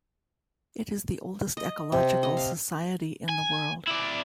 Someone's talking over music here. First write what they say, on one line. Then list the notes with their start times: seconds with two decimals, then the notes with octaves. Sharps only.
It is the oldest ecological society in the world.
1.57 D#5
1.92 C3
2.23 D#5
2.37 F5
3.29 G#5
3.88 E4 D5